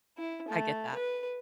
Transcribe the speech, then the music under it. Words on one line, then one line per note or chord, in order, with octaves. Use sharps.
I get that.
E4
A3
B4